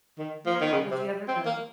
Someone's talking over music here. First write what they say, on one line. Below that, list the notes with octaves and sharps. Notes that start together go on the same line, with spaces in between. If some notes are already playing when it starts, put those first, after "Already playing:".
Yeah, would you ever go?
D#3
F3
D#3
C#3
C3
C4
A#3